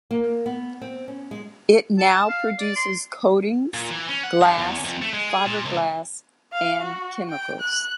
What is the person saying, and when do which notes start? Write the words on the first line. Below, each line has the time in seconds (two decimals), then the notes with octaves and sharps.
It now produces coatings, glass, fiberglass, and chemicals.
0.11 A#3
0.46 B3
0.82 C4
1.08 C#4
1.31 G#3
1.99 A5
2.29 F5
2.60 D5
2.76 C6
3.74 A#2
3.90 E3
4.09 C#4
4.23 F#5
4.41 G2
4.58 E2
4.85 F2
5.02 A3
5.13 G#3
5.30 G#4
5.46 A#2
5.65 C#2
6.52 F5
6.82 F#4
7.29 G5
7.60 F#6